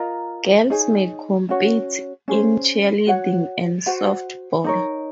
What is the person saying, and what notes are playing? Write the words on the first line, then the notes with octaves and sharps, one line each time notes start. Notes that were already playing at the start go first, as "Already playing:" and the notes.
Girls may compete in cheerleading and softball.
Already playing: F4 A#4 D#5 A#5
D#4 G#4 C#5 G#5
C#4 F#4 C#5
C#4 G#4 C5
F#4 C#5 F#5
F#4 C5 F#5
D#4 A#4 C#5